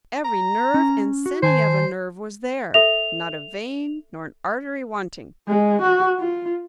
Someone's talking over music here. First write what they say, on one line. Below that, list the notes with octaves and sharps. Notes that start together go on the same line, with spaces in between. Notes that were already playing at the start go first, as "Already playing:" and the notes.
Every nerve and siny of a nerve was there,--not a vein nor an artery wanting.
A#5
C#4
F#4
D#3 C5 G#5 A5
A4 E5 F7
G#3
F#4
F4